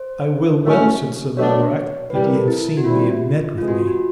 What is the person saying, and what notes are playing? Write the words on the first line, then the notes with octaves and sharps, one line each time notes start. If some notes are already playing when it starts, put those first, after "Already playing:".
I will well, said Sir Lamorak, that ye have seen me and met with me.
Already playing: C5
A2 F#3 A3 C#4
B2 F#3 A3 D4 C#5
C3 E3 G3 B4
A#4
A4
E4
F#4
D#3 G3 C4 E4 F4
C3 E3 G#3 F4
F#4
F4
F#4